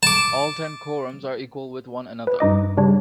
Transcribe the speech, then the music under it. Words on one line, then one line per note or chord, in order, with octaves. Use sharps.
All ten quorums are equal with one another.
A5 D6
B4
G2 D#4 D#5 D6
C#3 G3 D4 C#5